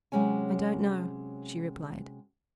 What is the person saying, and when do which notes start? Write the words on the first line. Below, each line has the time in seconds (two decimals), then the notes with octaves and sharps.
"I don't know," she replied.
0.12 C3 F#3 G#3 C#4 G#5